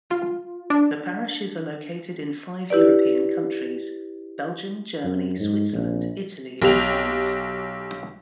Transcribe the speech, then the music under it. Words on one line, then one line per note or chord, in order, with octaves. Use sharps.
The parishes are located in five European countries: Belgium, Germany, Switzerland, Italy and France.
F4
D4
E4 G4 B4 D5
F#2
G#2
A#1
B1 G4 F7